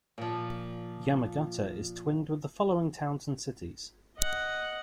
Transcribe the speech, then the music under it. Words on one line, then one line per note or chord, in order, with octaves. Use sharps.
Yamagata is twinned with the following towns and cities.
A#2 F3
D#5 F#5